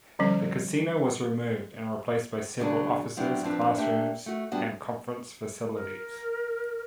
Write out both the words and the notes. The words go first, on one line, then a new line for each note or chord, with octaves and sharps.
The casino was removed and replaced by several offices, classrooms and conference facilities.
D3 F3 G3 C#4
D#2 C#3 F#3 G#3 D4
F#3 B3 C4 D4 E4
F3 C4 D4 B4
A3 A#3 D4 G4 E5
A3 F#4
G3 B3 D4 F4 F#4
A#4